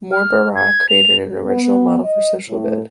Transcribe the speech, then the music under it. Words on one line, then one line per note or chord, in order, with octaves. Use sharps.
Mor Barak created an original model for social good.
F6
G#6
F7
B3
D#5
A2